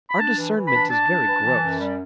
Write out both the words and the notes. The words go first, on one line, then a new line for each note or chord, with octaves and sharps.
Our discernment is very gross.
B5
D4 A5
E3
E3
B5
D4
D4 A5
D4
E3
E3
F#2
G3